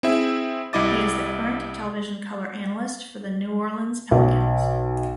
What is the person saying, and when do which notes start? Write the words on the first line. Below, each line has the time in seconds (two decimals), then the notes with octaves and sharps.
He is the current television color analyst for the New Orleans Pelicans.
0.03 C4 E4 G#4 E5
0.73 C2 G3 E4 D#5 D6 A6
4.11 B1